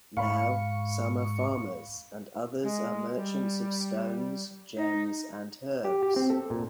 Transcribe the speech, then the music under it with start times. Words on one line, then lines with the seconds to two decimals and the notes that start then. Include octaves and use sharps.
Now, some are farmers and others are merchants of stones, gems and herbs.
0.17 G#2 F5 B5 C#6
2.63 G#3
3.16 G3
4.77 D#4
5.85 G4
6.03 G4
6.16 C4
6.30 A4
6.50 A#2